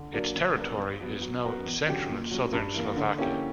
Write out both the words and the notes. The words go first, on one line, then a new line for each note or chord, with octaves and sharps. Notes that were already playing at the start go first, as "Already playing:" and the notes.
Its territory is now in central and southern Slovakia.
Already playing: D3
F#3 A#3 D4 A#4
D3
G3 B3 D4 A#4
G2
F#3 B3
F#3
B3 F#4 A#4
E2
D3 F#3 C#4 G4
A#2
F#3 C#4
G2
E3 A#3
D3
A#3 C#4 E4 G4